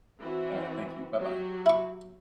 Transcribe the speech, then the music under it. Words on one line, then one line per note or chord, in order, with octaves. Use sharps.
All right. Thank you. Bye-bye.
E3 C4 F#4
F#3 F#4 G4
E4 C#6